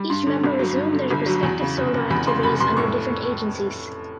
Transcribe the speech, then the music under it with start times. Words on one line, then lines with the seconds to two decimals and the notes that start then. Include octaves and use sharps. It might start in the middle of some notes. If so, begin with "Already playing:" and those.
Each member resumed their respective solo activities under different agencies.
Already playing: G3
0.10 G2 C6
0.27 D3
0.44 G1
0.59 F#3
0.76 G2
0.93 D3
1.11 G1
1.26 F#3
1.43 E2
1.61 C#3
1.77 F1
1.94 F1
2.10 E2 B5
2.27 C#3 C6
2.43 F1 B5
2.60 F1 C6
2.77 A2 C#6